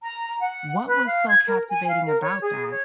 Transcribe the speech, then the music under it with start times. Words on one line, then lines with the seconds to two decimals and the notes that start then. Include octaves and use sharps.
What was so captivating about that?
0.02 A#5
0.41 F#5
0.86 B4
1.06 F5
1.28 G#6
1.48 A#4
1.69 G#5
1.88 F5
2.06 A#4
2.22 C#5
2.42 G#4
2.69 C#5